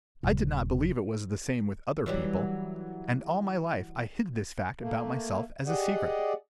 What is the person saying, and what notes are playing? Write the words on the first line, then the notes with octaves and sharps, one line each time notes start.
I did not believe it was the same with other people, and all my life I hid this fact about myself as a secret.
D#1 C#3
E3 F#3 G3
A3 A#3
G4 G#4 D5 D#5 F#5